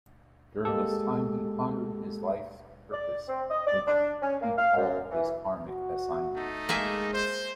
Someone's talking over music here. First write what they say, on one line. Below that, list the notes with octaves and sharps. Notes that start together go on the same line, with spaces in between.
During this time, he pondered his life's purpose, which he called his karmic assignment.
G#3 A#3 G4 A4
D5
C4
D#5
D5
D4
C#4
A#3
F5
F#2
E3
F#4
A3 D#4
G#3 A#3 G#4 E5
C5